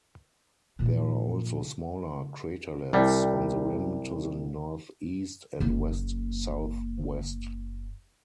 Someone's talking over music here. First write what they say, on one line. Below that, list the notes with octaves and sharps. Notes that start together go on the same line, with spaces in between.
There are also smaller craterlets on the rim to the northeast and west-southwest.
A#2 F3
C2 G3
F#1 A#3